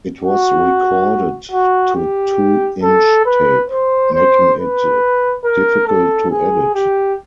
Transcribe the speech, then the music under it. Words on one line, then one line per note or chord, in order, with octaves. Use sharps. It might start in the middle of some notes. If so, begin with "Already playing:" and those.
It was recorded to two-inch tape, making it difficult to edit.
F#4
F#4
G4
A4
B4
C5
C5
B4
A#4
A4
G#4
G4